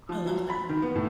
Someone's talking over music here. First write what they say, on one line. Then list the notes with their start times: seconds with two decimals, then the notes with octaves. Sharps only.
I love that.
0.09 F3
0.26 F#3
0.50 B5
0.69 D#3
0.82 B3
0.96 A2